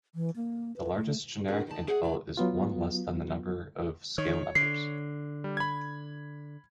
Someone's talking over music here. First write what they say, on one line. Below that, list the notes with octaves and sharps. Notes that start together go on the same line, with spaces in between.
The largest generic interval is one less than the number of scale members.
E3
A#3
B4
A3
B3 C4 D4 F#4 G#4 A#4
D#3 D#4 D5 A5
A3 G#4 D5 F#5
E3 A#3 D5
F#3 B3 F4
D#3 C#5
D3 C7
G3
B5 G#6